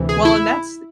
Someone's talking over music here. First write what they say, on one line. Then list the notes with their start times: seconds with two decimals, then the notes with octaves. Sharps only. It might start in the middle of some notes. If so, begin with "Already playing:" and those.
Well, and that's
Already playing: D2 C3 E3
0.09 G#4
0.25 E4